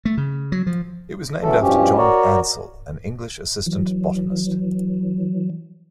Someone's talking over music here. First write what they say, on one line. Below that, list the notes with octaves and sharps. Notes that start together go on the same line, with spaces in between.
It was named after John Ansell, an English assistant botanist.
A3
C#3
F#3
F3
C#3 E3 F#3 A3 A4
E2 G2 B2 F3 C#4 G4
F#4 A#4 C#5 D5
E3 F#3